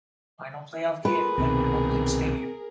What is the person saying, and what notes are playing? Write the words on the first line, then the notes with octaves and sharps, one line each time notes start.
Final playoff game at Anaheim Stadium.
F4 G#4 A#4 B4
C2 B2 D#3 C4